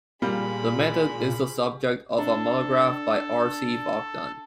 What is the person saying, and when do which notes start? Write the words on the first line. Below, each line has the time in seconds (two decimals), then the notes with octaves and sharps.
The method is the subject of a monograph by R. C. Vaughan.
0.22 A#2 G3 G#3 A#3 B5
2.18 D4 A4